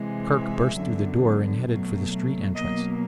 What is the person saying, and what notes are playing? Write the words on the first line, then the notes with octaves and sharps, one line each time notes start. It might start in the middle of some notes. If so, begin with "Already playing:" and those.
Kerk burst through the door and headed for the street entrance.
Already playing: C3 E3 G#3
E5
F#2 D3 F#3 B3
B2 F#3 A3
B2 F#3 A#3 D#5